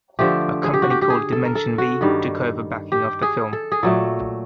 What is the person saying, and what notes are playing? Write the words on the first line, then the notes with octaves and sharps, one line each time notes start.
A company called Dimension V took over backing of the film.
D3 F3 A3 G4
G#4
G4
F#4
G4
G4
G#4
A4
A#4
A4
F#4
G2 D#3 G3
G4
G#4
A4
G#4
A#2 F#3 A3 A4